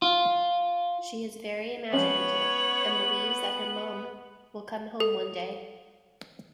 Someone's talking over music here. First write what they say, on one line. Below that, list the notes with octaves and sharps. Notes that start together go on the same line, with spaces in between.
She is very imaginative and believes that her mum will come home one day.
F4
F3 G#3 B3 C#4 C#5 F#7
A4